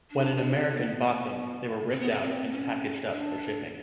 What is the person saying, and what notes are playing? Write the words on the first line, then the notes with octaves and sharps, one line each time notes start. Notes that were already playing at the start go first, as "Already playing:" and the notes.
When an American bought them they were ripped out and packaged up for shipping.
D4
B3
C4
B3
C4
C4
C#4
D4